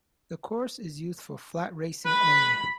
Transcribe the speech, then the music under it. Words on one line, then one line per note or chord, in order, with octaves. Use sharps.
The course is used for flat racing only.
B4 B5